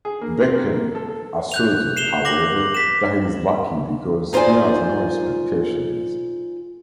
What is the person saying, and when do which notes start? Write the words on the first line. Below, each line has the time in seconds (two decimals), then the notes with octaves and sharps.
Beckett asserted, however, that he is lucky because he has "no expectations".
0.05 G#4
0.21 A#3
0.41 C4
0.55 A#3
0.74 A#3
0.95 A4
1.08 A4
1.52 F#6 G6 F7
1.97 C7 E7 F7 G7
2.25 D6 A#6 F#7
2.75 B6 E7
4.33 D#4 F4 C5 D5 G#5